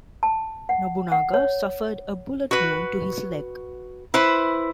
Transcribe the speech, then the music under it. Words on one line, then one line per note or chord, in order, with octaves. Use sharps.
Nobunaga suffered a bullet wound to his leg.
A5
F#5
F#5
C#5
F#4 B4
E4 B4 C5